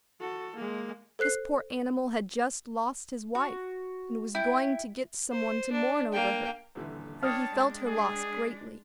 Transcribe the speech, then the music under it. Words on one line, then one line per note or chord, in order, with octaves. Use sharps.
This poor animal had just lost his wife, and was going to get some one to mourn over her, for he felt her loss greatly.
F#4 A4
G#3 A#3
A4 C5 F#6 C7
F#4
E4 G5
C5
D4
A#3 G5
D#1 D3 E3
D4 C#5 G5 A5 D#6 F6
G#3 D4
G#4